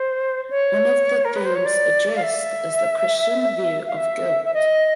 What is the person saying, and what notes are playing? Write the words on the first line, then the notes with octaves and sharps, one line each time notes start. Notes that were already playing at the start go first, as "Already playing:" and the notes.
One of the themes addressed is the Christian view of guilt.
Already playing: C5
C#5
A#4
B4
C5
C#5
D5
F5
E5
F5
E5
E5
D#5